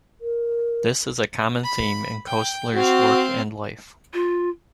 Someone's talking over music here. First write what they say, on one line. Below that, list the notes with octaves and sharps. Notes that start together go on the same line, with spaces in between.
This is a common theme in Koestler's work and life.
A#4
B5
G5
C4 F#4 F5
F4